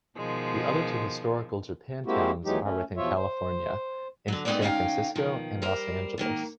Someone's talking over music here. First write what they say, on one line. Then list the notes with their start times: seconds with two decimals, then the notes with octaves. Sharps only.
The other two historical Japantowns are within California, in San Francisco and Los Angeles.
0.17 B2 D#3 F3 G#3
2.06 G#3 A#3 C4 E4 F#4 G4
2.45 D#2 E3 F#3 G#3 D#4 G4
2.63 A3 C#4
2.97 E2 B2 F3 F4 C#5 E5
3.16 C5
4.28 D3 F#3
4.45 G#3 B3 C4 D#4 B4 D5
4.61 D2 C#4 D#4 E5 F5 G5
5.15 B2 D#3 F3
5.62 G3 A#4 C5
6.18 G#2 D#3 A#3